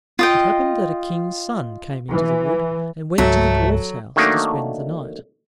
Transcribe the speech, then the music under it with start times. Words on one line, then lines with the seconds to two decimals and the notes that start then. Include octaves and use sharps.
It happened that a King's son came into the wood, and went to the dwarfs' house to spend the night.
0.19 F4 D#5 G5
2.09 E3
3.18 C#2 G#2 F#3 A3
4.16 D#3 F#3 A3 A#3 D4 D#4